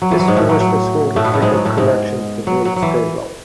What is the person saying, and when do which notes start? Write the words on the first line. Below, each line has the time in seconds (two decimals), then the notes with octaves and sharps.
This forced the school to take up collections to meet its payroll.
0.02 F#3
0.11 E3
0.19 F#3
0.28 G#2 G#3
0.37 A2 A3
0.49 F#3
0.60 F#3
1.16 A2 A3
1.24 B2 B3
1.34 A2 A3
1.42 G#2 G#3
1.54 F#3
1.65 A2 A3
1.77 G#2 G#3
2.47 F#3
2.65 F#3
2.76 F#3
2.82 E3